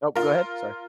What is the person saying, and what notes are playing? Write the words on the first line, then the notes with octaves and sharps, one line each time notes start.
Oh, go ahead, sorry.
F4 A#4